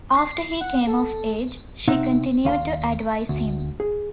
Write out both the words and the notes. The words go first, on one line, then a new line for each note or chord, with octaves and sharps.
After he came of age, she continued to advise him.
C7
F#5
A4
C3 C4 D#4 E5 F#5
D#2 F5 A#5 C6
D2
G#4